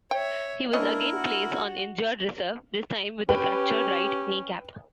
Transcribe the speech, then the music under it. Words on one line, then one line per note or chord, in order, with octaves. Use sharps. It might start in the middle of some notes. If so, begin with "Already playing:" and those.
He was again placed on injured reserve, this time with a fractured right kneecap.
C#5 E5 G5
A#3 B3 C#4 D4 E4 A#4 D#5
F#4
C#4 G4 B4 G5